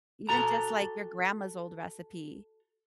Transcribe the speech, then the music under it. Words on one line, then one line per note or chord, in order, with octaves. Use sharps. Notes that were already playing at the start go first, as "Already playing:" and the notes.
Even just, like, your grandma's old recipe.
F#4 A4 A#5